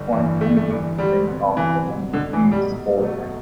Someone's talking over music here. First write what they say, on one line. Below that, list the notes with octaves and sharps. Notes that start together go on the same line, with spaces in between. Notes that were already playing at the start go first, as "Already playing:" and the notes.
Point Henry is named after Henry Reed's boat Henry.
Already playing: G1
G2 E3
G1 A3
A3
G2 E3
D2 G3
C3 F#3 B3
D2 E3
C3 F#3 B3
B1 D3
E3
B2 F#3 A3
G3
B1
B2 F#3 A3